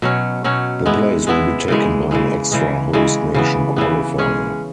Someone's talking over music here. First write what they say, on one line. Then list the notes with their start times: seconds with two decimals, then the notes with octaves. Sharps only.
The place will be taken by an extra Host Nation qualifier.
0.02 B2 F#3 C#4
0.44 B2 F#3 C#4
0.86 G#3 B3 E4
1.27 G#3 B3 E4
1.68 C#3 E3 G#3
2.11 C#3 E3 G#3
2.52 C#3 E3 G#3
2.93 C#3 E3 G#3
3.34 C#3 E3 B3
3.76 C#3 E3 B3
4.18 G#3 C#4 G#4